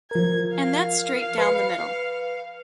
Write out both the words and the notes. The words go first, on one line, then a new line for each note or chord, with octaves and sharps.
And that's straight down the middle.
F3 A#4 G#6
F5
B4 C7 C#7